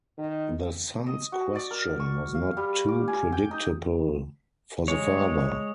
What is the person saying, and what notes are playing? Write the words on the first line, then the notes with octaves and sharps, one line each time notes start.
The son’s question was not too predictable for the father.
D#3
D#5
F#4
D5
A#4
C#6
F5
G3
D6
G#5
G5
D#4
G#3 C#5